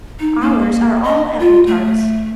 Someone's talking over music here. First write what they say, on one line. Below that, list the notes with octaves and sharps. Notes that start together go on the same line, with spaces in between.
Ours are all apple-tarts.
D#4
A#3
D#5
F4
A3